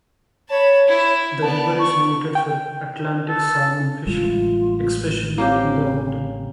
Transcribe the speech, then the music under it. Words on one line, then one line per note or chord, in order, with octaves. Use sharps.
The river is noted for Atlantic Salmon fishing, especially in the autumn.
C#5 A5 B5
E4
B3 D5 A5
C#6
G5
A4
A1 G3 G#3 F4
A#3 C4 C#4 G4